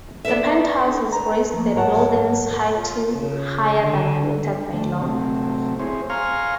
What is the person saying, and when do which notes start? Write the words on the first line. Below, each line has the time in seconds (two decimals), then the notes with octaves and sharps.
The penthouses raised the building's height to - higher than permitted by law.
0.25 B3 D4 A4 B4 E5
1.13 B4 A#5
1.53 F3 A3 A#3
1.75 G#2 F#3 A#4 C#5 F#5 A5
2.77 F4
3.13 C#3
3.79 D3
4.73 D3 A3
5.02 C3 F#3 A3 C4
5.79 C4 E4 G#4 C5 C#5
6.10 F5 G#5 A#5 C6 C#6 F6